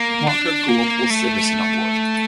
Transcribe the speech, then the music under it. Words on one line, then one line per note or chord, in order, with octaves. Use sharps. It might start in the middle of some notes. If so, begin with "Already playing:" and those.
Walker Global Citizen Award.
Already playing: A#3
D4
A#3
A3